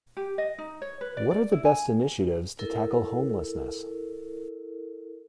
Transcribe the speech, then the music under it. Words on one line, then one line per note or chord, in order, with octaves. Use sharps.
What are the best initiatives to tackle homelessness?
G4
D#5
D#4
C#5
B4
D5
D5
E4
G#5
E4 A4 A#4